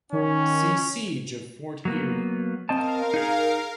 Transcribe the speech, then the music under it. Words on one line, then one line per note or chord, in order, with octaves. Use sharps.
"See Siege of Fort Erie".
D#3 C#4
F#3 A#3 B3
C4 A#4 D#5 F5 A5
D#4 G#4